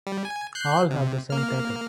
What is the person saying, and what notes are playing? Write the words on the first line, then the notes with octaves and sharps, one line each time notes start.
All have the same title.
G3
G#5
F#6 G6 C7
C3
A#3 F6